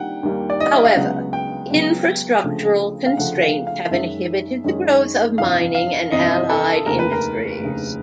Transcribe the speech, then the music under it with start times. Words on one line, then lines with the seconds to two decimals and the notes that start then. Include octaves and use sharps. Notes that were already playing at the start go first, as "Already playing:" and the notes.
However, infrastructural constraints have inhibited the growth of mining and allied industries.
Already playing: D#3 G3 A#3 F#5 G5
0.23 D#2 D#3 G3 A#3
0.50 D5
0.60 D#5
0.73 E5
0.85 F5
0.96 C#2 C#3 F#3 B3 F#5
1.33 G5
1.70 C#2 C#3 F#3 B3
2.44 D2 C#3 F3 A3
3.06 F5
3.17 D2 C#3 F3 A3 F#5
3.42 F5
3.67 F5
3.91 F#2 D#3 G#3 C#4 E5
4.64 F#2 D#3 G#3 C#4
5.38 G1 F2 C3 E3 F5
5.75 F5
6.12 G1 F2 C3 E3 D#5
6.24 E5
6.34 D#5
6.50 A4
6.86 F1 D#2 C#3 A#4
6.99 B4
7.12 A#4
7.60 F1 D#2 C#3